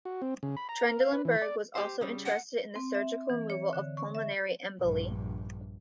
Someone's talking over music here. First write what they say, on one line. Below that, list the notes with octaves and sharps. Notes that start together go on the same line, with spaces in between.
Trendelenburg was also interested in the surgical removal of pulmonary emboli.
F#4
C4
C#3
B5
A#5
A#4
F5
B4
E3
D5
G4 C5
C#3 G3
F#5
C4
E5
E3
C#5
D3
C#6
E5
A#1 G2